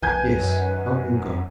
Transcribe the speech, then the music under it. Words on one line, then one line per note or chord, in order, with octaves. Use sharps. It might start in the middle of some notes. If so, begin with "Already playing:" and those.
"Yes, I will go."
B1 D#3 F3 B4 G#5 G6 G#6
F#2 D#3